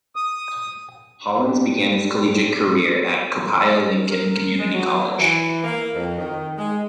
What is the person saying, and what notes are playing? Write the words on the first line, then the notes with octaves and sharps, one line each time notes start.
Hollins began his collegiate career at Copiah–Lincoln Community College.
D#6
C4 D4 G4
A#4
G#3
F#3
F#3
E3
A#3
F2
D#3
G#3